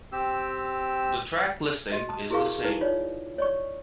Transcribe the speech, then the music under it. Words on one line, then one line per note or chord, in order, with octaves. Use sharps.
The track listing is the same.
C4 G4 E6
F#4 D#5
A5 D#6
E4 F#4 G#4 A#4 F5 C#6
D#4 E4 B4
D#4 F4 C#5 D5
C#5 D5 C#6